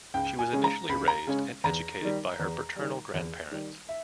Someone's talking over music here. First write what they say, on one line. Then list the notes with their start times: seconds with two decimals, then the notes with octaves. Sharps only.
She was initially raised and educated by her paternal grandparents.
0.14 C#2 G5
0.39 G#5
0.52 C#3 G#3 C#4
0.64 A#5
0.89 C#2 B5
1.08 A#5
1.27 C#3 G#3 C#4
1.64 E2 A#5
2.02 D#3 G3
2.39 E2
2.76 D#3 G3
3.14 E2
3.51 D#3 G3
3.89 E5